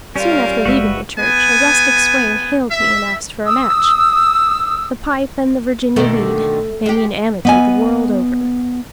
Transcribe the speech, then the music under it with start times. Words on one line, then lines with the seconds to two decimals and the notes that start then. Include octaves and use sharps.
Soon after leaving the church a rustic swain hailed me and asked for a match. The pipe and the Virginia weed--they mean amity the world over.
0.16 G3 C#4 F4 A#4 F5
0.65 F#1 G#3 F#4 B4 E5
1.19 B3 G#5
2.71 E5
3.44 D#6 E6
5.96 B2 D3 D#3 A3
6.86 G#3 G4
7.45 B3 D#5 G#5